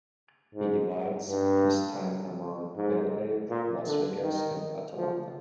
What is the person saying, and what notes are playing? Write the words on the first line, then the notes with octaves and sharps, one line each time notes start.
He divides his time among Bel Air, Las Vegas and Atlanta.
G#2
G2
G#2
A#2
D3
D#3
F3